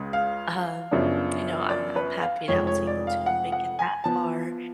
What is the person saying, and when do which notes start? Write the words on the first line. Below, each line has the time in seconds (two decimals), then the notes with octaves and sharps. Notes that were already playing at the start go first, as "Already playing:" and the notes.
um, you know, I'm I'm happy that I was able to make it that far
Already playing: C#2 C#3 G#3
0.13 F5
0.91 F#2 C#3 F3 B3 D4
1.69 D5
1.96 B4
2.22 F5
2.48 F1 F2 F3 G#3 C#5
2.67 C#5
2.87 D5
3.07 F5
3.26 F#5
3.52 F#5
3.79 G#5
4.04 F3 B3 A5